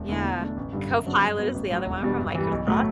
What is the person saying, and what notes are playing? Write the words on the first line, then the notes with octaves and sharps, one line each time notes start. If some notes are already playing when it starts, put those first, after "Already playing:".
Yeah. Copilot is the other one from Microsoft.
Already playing: E1
E2 D3 A3 E4
B2
A3 D4
A1
G2 D3 G3
F#2
C#3 F#3 B3 D4
G2
F#3 B3
A1
A2 F#3
E1
E2 B2 G3 D4
G2
E3 G3
B1
A2 F#3 A3